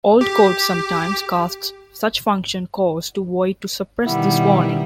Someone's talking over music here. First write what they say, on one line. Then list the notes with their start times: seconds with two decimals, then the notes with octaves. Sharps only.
Old code sometimes casts such function calls to void to suppress this warning.
0.21 G4
4.06 B2 D#3 G3 B3 E4